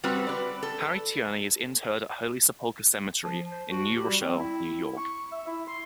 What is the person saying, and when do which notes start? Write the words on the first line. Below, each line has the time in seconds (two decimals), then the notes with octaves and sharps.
Harry Tierney is interred at Holy Sepulchre Cemetery in New Rochelle, New York.
0.04 G3 C4 F#4 B4
0.27 B4 D5
0.63 A4
3.24 F3
3.52 C5
3.71 F#4
3.96 G4
4.08 G3
4.21 C4
4.39 E4
4.97 C#6
5.32 E5
5.47 E4
5.67 C6